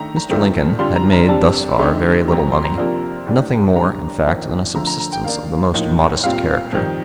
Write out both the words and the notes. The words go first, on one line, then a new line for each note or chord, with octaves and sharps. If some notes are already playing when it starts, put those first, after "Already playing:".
Mr. Lincoln had made thus far very little money--nothing more, in fact, than a subsistence of the most modest character.
Already playing: D#3 A3 D4 A#5
A#5
F2 D#3 A3 D4 F4
D3 G3 D4 F4 C6
A#5
A#5
C3 G3 D4 A5
D3 A3 C4 D#4
F2 C3 G3 A#5
A#5
C6
A#5
C3 F3 A#3 D4 F4
A2 G3 D4
D3 G3 D4 A#5
F2 D#3 A#3 D4
D3 F3 A3 A#5
A#5
A#5
G5
D#3 A#3 D4 F5
A2 F3 A#3 D#4
A#2 G3 C4 F4 F5
F2 D#3 G3